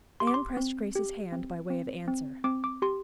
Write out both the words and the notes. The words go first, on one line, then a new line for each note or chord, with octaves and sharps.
Anne pressed Grace's hand by way of answer.
G4 C6
D6
C6
C4
G4
C4
C4
C4
C4 D6
D6
G4 C6